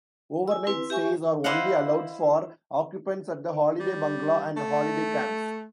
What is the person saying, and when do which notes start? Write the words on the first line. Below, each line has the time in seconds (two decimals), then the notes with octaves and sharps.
Overnight stays are only allowed for occupants at the Holiday Bungalow and Holiday Camps.
0.48 G#5 E6
0.67 C4 E4 B4
0.90 G4 E5 G#5 C#6
1.44 E4 C5 D#5 F5 F#5
3.80 G3
4.57 A3